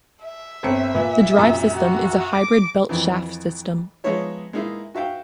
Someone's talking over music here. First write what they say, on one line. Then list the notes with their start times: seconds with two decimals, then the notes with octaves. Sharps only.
The drive system is a hybrid belt-shaft system.
0.24 E5
0.63 G1 C4 C#7
0.94 A#2 B4
1.36 C2 F#2 A#2
1.76 F#4
2.35 D6 A#6
2.89 F2 D#3 E3
4.04 F3 G#3 B3 D#4 C#5 E5
4.53 G#3 A#3 D#4 E4
4.95 F#4 E5 F5 G5